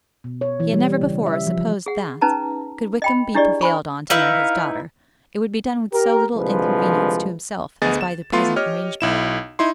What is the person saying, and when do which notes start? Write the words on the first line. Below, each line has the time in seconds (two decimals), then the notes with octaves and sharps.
He had never before supposed that, could Wickham be prevailed on to marry his daughter, it would be done with so little inconvenience to himself as by the present arrangement.
0.24 B2
0.41 C#5
0.60 E3
0.73 G3
1.01 C#3
1.26 E5
1.47 F3
1.86 G#4 F#5
2.21 C#4 D#4 B4 A5 A#5
3.02 D#5 G5 B5
3.35 D4 E4 G4 G#4 D5 D#5
3.61 C5 G#5 B5 C#6
4.10 D#4 E4 B4 F5
5.93 G4 A#4
6.35 C2 D3 F3 G#3 B4
7.82 D2 B3 G#4 D#5 A6
8.01 E7
8.32 A3 B3 F4 C6
8.56 G4 C#5 D#5 F6
9.01 B1 E4 E7
9.59 D#4 E4 C6